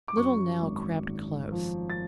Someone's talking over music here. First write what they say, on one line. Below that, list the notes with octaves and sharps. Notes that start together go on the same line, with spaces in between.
Little Nell crept close.
D6
F#2 C#6
G#1
G#1
F3
A6